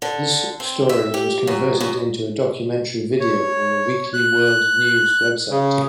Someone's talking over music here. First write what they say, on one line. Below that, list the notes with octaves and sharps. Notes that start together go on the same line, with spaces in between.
This story was converted into a "documentary" video on the Weekly World News website.
D3
C4
E5
G4
F#2
F#2
C#5
F#6
C#3